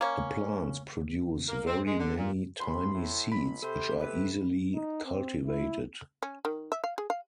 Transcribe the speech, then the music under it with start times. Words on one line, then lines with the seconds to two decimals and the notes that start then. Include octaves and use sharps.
The plants produce very many tiny seeds which are easily cultivated.
0.01 A#3 C#4
1.48 A#3
1.67 C4
1.86 G#3
2.00 D3
2.17 A#2
2.60 D#2 B5 C6
2.94 A2
3.32 A#1 B5
3.62 C3 A4 C5
3.99 B4
4.74 D#4
5.06 C4
5.46 E4
6.23 C#4
6.45 D#3
6.72 E5
6.84 F5
6.98 G#4
7.10 F5